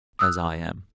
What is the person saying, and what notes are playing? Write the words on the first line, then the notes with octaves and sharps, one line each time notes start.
"As I am."
D#6 E6 F#6